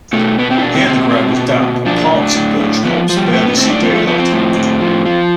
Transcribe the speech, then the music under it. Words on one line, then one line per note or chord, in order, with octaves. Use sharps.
Here the ground is damp and parts of Birch Copse barely see daylight.
B2 A3
B2 B3
C4
E4
B2 D4
C4
B2 C4
B2
B2
B2
F3 D4
A2
A2
A2
F3 B3
F3
G3
A2 A3
B3
A2 C4
D4
F3 C4
A3
F3 B3
C4
A2
A2
F3
F3